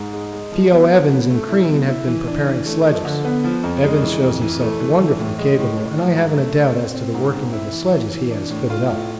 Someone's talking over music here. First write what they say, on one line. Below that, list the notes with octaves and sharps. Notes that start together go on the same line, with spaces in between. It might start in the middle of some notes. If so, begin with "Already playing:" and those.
P.O. Evans and Crean have been preparing sledges; Evans shows himself wonderfully capable, and I haven't a doubt as to the working of the sledges he has fitted up.
Already playing: G#2
G#3
G#3
F3
B3
F3
B3
A3
E4
B2
E4
E3
D4
E3
A3
F3
D3
B3
F3
F2
G#3
E3
F2
E3
A3
E3
E3
A2
G#3
A2
A2
F3
G#2
A3
A3
C4
C4
G#2
C4
E4
E3
E3
E3
D4
A2
F4
A2